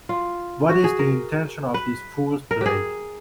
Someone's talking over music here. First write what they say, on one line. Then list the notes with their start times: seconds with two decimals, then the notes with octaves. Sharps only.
What is the intention of this fool's play?
0.09 F4
0.69 F#4
0.84 G#4
0.99 A#4
1.74 B4
2.51 A#4
2.61 G4 G#4